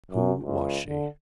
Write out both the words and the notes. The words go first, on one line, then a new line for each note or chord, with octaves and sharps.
Who was she?
F#2
C#2
D3